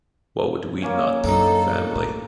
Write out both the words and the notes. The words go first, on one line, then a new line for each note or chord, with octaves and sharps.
What would we not do for family?
A#3 C#4 G#5
F#2 D4 D#4 A4
A2